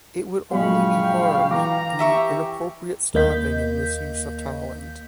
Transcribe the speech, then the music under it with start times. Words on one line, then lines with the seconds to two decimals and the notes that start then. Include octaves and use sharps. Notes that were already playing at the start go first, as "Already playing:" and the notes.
It would only be harmed through inappropriate staffing and misuse of talent.
0.52 A#1 F#2 G#3 F5 G5 B5 C#6
1.51 E3 A#5 D6
1.99 G4 E5 C#6
3.14 D#2 A#3 D#5 G6 B6